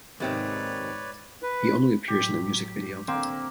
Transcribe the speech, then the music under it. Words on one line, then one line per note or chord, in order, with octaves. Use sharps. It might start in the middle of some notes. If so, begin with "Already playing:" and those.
He only appears in the music video.
D#2 G#2 C3 D#3 B4 C#5 D5
B4
A2 F#3 G4
D3 A#3 C4